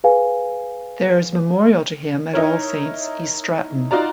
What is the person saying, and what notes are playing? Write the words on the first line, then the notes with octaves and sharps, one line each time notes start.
There is a memorial to him at All Saints, East Stratton.
G#4 B4 F5 G#5
D#4 E4 A#4 C#5
D#4 F4 F#4 D5 A#5